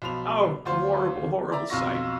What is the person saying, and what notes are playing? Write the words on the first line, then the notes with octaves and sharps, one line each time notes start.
O! a horrible, horrible sight!'
B1 F3 B5 F7
D2 F4 C5
D5 E5 A#5
B1 F2 F4 C#6 A#6